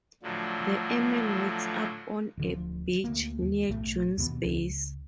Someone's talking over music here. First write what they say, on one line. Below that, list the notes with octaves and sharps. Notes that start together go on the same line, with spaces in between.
The airman wakes up on a beach near June's base.
A2 D3 F3 F#3
D1 D3 F3
D2 A#3
D#2
B1 A2 A3
D#2 B2 A#3 B3
C#2